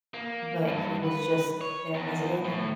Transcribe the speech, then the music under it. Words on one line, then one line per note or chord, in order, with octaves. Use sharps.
but he was just there visiting and
A#3
G2
B4
C#5
E2
A2